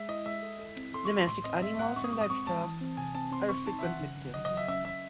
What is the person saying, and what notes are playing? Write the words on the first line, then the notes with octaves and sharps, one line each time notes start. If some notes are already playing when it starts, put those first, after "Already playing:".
Domestic animals and livestock are frequent victims.
Already playing: G#3 E5
E4 D#5
G#3 E5
A4
A4
C4
A4 C6
C#6
G#3
C6
A2 C6
C4 D#5
G#3 E5
A2 F#5
C4 C#6
D#6
G#3 C#6
D#6
C4 C#6
G#3 A5
E3
C4
C3 G#5
C4 A5
C4 C6
C4 C#6
D#4 A5
E5
E3 F#5
C#3
C#3
F#3 D#5
D#5
F#3
E5
C#4 E5
C#4 E5